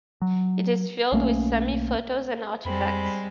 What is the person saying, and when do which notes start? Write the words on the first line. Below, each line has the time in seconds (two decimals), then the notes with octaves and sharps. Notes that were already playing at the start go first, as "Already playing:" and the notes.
It is filled with Sami photos and artifacts.
0.22 F#3
1.12 B1 A3 A#3 C#4
2.65 F2 G3 G#3 C4 B5